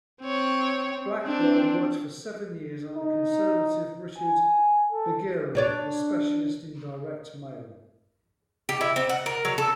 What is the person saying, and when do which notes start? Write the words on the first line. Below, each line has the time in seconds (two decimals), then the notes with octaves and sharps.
Blackwell worked for seven years under conservative Richard Viguerie, the specialist in direct mail.
0.22 C4 C#5
1.23 C4 D4
2.97 D#4
4.18 G#5
4.92 A4
5.55 D4 C#5 D5
8.69 G4
8.81 E4
8.96 C4
9.09 F#5
9.26 A#4
9.45 F#3
9.58 A4